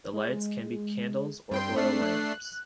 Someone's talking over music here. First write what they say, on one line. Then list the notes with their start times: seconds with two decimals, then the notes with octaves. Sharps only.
The lights can be candles or oil lamps.
0.13 G#3
1.52 G2 C4 G5 C6
1.76 A3 D4 C7
2.02 F#6